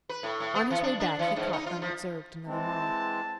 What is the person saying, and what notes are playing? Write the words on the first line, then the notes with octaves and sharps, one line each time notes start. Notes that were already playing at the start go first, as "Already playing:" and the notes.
On his way back he caught unobserved another moth.
B4
A2
A2
B3
E3
D4
D4
E3
G#2
D#4
F4
F3
E3 G#3 C4 A5